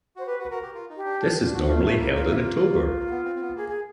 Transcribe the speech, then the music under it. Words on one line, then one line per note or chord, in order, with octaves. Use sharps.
This is normally held in October.
F#4 C5
G4 B4
F#4
B4
F#4 A#4
G4
F4
D#4
G4
D4
D4
F4
D4
F#4
F#4
A3 F4
A3
E4
A#3
A#3 F4
E4
F4
A#3
B3
C4
C4
B3
A#3 G#4
G#4